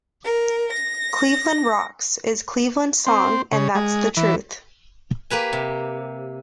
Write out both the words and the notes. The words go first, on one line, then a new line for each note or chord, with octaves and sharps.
'Cleveland Rocks' is Cleveland's song and that's the truth.
A#4
A#6
C4
C#3
G#3
E3
A#3 G4 B4 G#5
C3